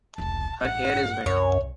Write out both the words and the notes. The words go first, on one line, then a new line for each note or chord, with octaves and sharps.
Her hair is wet.
E1 C2 A5
A1 G2 F#5
C2 F#2 C#5